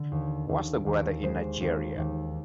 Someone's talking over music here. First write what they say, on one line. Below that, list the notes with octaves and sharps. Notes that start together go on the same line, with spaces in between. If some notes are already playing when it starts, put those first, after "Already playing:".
What's the weather in Nigeria?
Already playing: D3
D#2
D#2
D#2
G#3 C5
D#2
D#2